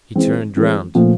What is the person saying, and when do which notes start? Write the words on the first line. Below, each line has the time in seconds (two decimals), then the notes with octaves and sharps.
He turned round.
0.15 E3 G#3 C4
0.56 E3 G#3 C4
0.95 A#2 F3 A3